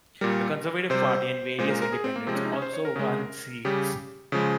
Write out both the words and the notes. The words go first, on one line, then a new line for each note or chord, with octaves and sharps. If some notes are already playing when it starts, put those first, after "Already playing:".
The Conservative Party and various independents also won seats.
A#2 G3 A#4
C3 G3 C5
A#2 G#3 C5
A#4
A#4
G#4
C4
A#3
C3 F3 G#3 C4
C#4
D#4
C#4
C5
C#5
A#4
C#3 G#3
C#3 G3 G4
C#3 F3 G#3